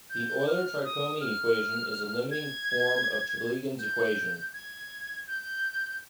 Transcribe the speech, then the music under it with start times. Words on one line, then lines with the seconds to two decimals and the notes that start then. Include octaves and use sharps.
The Euler-Tricomi equation is a limiting form of Chaplygin's equation.
0.10 G6
0.47 F6
0.84 D#6
1.21 F6
2.31 G#6
3.79 G6
4.53 G#6
5.27 G6